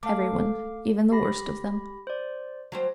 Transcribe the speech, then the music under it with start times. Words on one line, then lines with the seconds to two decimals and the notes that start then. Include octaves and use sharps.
Every one--even the worst of them.
0.03 A3 F5 D6
1.12 G4 B5 A#6
2.07 C5 D5
2.72 F#3 G3 C5